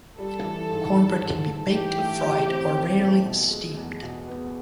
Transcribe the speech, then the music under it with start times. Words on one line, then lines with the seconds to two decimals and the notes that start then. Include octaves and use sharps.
Cornbread can be baked, fried or, rarely, steamed.
0.18 G3 A4
0.44 E3
0.69 G#2
0.95 G3
1.21 G#2
1.46 G#2
1.72 E3 G4
1.98 A3
2.23 E3
2.49 C4
2.75 C4
2.99 A3
3.26 B2
3.51 G#3
3.77 E2
4.02 B2
4.28 B3